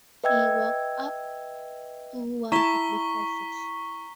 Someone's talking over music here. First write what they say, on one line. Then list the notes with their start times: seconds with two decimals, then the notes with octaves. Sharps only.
He walked up to one of the presses.
0.24 B4 D#5 E5 G5 E6 G#6
2.52 E4 A5 A#5 C#6 B6 G7